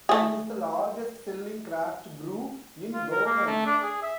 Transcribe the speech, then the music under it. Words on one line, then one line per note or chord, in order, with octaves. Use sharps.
It is the largest selling craft-brew in Vermont.
A3 G#4
F4
A#4
A#3
A3
D4
G#4
E5